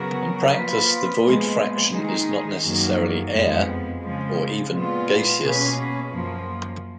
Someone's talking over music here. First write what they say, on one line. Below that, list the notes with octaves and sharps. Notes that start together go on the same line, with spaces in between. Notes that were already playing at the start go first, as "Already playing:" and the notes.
In practice, the void fraction is not necessarily air, or even gaseous.
Already playing: C#3 F#3 B3 F#4 A#4
F3 A#3 F4 B4
A#2 F3 G#3 B3
D#3 G#3 D#4 G#4
F#2 D#3 F#3 A#3
F2 F3 G#3 B3
C#3 F3 G#3
A#2 G#3 B3 F4
B2 A#3 C#4 G#4 B4
F#2 F3 A#3